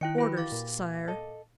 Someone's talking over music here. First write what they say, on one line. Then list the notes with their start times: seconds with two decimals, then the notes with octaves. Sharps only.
"Orders, Sire."
0.01 D#3 E4 D#5 G5 F#6 C#7
0.18 E4 F#4 G4 B4 B5
0.37 F5 D6 A6
0.52 A#2
1.08 A4 D#5